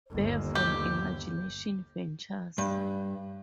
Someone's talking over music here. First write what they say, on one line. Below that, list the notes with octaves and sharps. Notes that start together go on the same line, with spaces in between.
Bear from Imagination Ventures.
G1 D#2
G4
G2